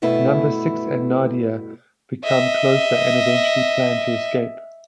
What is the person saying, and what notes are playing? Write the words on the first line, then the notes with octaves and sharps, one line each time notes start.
Number Six and Nadia become closer and eventually plan to escape.
G2 B2 A3 E4 B4
D#5 E5